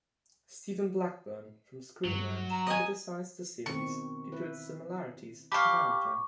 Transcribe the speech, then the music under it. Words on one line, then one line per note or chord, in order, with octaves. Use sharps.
Steven Blackburn from "Screen Rant" criticized the series due to its similarities to "Naruto".
G2 F#3
A#5 E7
D#5 G#5
B2 D#3 C4 C#6
E4 B4
G4 F5 A5 B5 C#6 D6